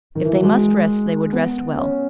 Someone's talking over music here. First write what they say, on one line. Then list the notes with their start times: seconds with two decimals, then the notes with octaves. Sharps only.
If they must rest they would rest well.
0.15 D#3
0.25 E3
0.34 F#3
0.43 G#3
1.33 B3
1.77 C#4